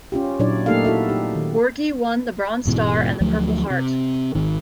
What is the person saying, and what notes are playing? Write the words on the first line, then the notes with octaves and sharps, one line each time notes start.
Borghi won the Bronze Star and the Purple Heart.
C#4 F4 G4
A#2 F#3 D4 E4 C#5 D5
A3 A#3 D#4 G4 A4 F5
E4 F#4 A4 E5
D#4 G4
D#3
E1 G#2 B2 E3
D2 F3 F#3 A3
C3
G#1 D#3